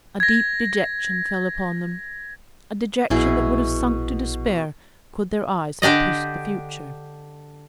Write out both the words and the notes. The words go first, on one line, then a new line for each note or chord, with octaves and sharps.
A deep dejection fell upon them,--a dejection that would have sunk to despair could their eyes have pierced the future.
G#6 A#6
A#1 B2 E4 G#4
D3 D4 G4 D5 D#5